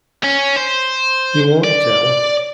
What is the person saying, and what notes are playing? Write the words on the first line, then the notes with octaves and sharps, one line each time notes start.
You won't tell?
C#4
C5
D5